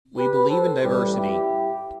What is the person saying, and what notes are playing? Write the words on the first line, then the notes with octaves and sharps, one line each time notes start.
We believe in diversity.
G4 B4
A4 C5
A1 A2 G3 G4 B4
E4 G4